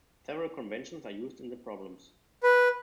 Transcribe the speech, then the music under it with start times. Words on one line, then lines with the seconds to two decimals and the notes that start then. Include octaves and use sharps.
Several conventions are used in the problems.
2.43 B4